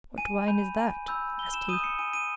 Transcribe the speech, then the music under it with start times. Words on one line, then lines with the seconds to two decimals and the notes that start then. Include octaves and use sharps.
"What wine is that?" asked he.
0.18 G#5 D#7
0.48 B5 G6
0.78 G#5
1.08 B5 E6 G6
1.39 B5 G7
1.54 E7
1.69 D#6 G6 D#7
1.84 C#7
1.99 G#5 D#7
2.13 D#7